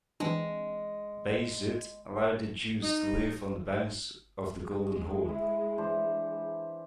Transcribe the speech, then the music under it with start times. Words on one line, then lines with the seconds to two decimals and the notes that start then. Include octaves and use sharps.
Bayezid allowed the Jews to live on the banks of the Golden Horn.
0.20 E3 G#3 C4 D4
2.83 D#4
4.42 G#3
5.28 E4
5.78 E3 D4 C5